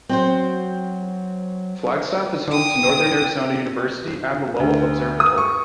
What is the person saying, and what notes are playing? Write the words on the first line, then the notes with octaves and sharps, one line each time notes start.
Flagstaff is home to Northern Arizona University and the Lowell Observatory.
F#3 C4 F#4 C5
G5 D#6
D2
D#6
C#6